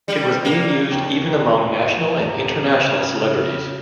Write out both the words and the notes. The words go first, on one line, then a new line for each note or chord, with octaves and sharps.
It was being used even among national and international celebrities.
G3
A#3
D#2
D#1
C#3